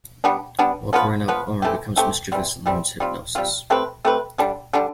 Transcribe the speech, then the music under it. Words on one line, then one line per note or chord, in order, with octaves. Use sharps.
While growing up, Omar becomes mischievous and learns hypnosis.
G3 B3 D4
G3 B3 D4
F3 B3 F4 B4
F3 B3 F4 B4
E3 A3 C4 G4
E3 A3 C4 G4
E3 G3 C4
E3 G3 C4
G3 C4 F4
G3 C4 F4
A3 C4 G4 B4
A3 C4 G4 B4
D3 G3 D4
D3 G3 D4